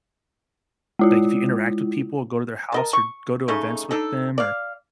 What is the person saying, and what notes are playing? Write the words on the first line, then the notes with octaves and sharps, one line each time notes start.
like, if you interact with people, go to their house, or go to events with them or,
G#3 E4 F4
A#4 D#5 A5
C#6
C#3 A3 D#4
D4 D#4 A4
D5 F5